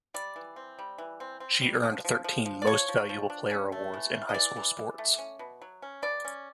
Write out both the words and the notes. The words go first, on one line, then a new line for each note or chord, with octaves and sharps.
She earned thirteen Most Valuable Player awards in high school sports.
G3 D5
E3
C4
G3
E3
C4
C4
G3
F3
F3
F3
F3
D5
F3 C#5
F3
F3
D4
C#4
A3
E3
E3
D#5
E3 D5
E3
E3
A3
C#4
B2
F#3
C#4
B2 D5
C#4